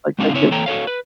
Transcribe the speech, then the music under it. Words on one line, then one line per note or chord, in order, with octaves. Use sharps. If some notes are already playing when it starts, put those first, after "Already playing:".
like, I can
G#3 C4 D4 F#4 F5
C#3 C4 E4 C#5 E5
E3 A#3 A4 C#5 G5 A#5
F#4 A4 C#5 F5
B4